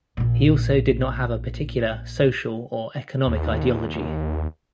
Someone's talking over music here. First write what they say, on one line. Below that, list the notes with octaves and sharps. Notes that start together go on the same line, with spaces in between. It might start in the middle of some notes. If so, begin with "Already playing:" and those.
He also did not have a particular social or economic ideology.
A#1 A#2
D#2